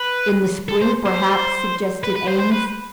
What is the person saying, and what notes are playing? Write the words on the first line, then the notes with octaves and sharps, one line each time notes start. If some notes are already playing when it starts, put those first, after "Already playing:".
"In the spring, perhaps," suggested Eames.
Already playing: B4
A4
C5
C5
B4
B4
C5
C5
B4